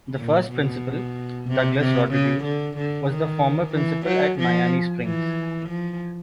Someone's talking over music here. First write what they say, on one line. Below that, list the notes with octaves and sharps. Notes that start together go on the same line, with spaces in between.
The first principal, Douglas Rodriguez, was the former principal at Miami Springs.
A#2
B2
C3
C3
C#3
D3
D3
D#3
E3
F#3
F3
E3
F3